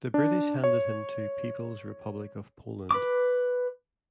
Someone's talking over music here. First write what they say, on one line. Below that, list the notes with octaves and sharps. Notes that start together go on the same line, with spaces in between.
The British handed him to People's Republic of Poland.
D4
C#5
B4 D6